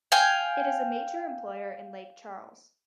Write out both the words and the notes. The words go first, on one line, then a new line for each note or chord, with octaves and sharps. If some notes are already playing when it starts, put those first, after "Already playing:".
It is a major employer in Lake Charles.
F5 G5 G#5